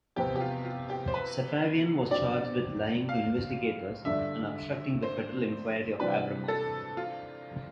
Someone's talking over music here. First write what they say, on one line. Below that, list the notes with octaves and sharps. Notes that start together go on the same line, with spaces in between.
Safavian was charged with lying to investigators and obstructing the federal inquiry of Abramoff.
E2 C3 F3 B3 G4
G4
F4
F4
G4
C5
B4
G2 F3 C4 G4 D5
F5
G2 D3 G3 D4 E5
C5
C3 E3 G3 D4 G4 B4
A4
F4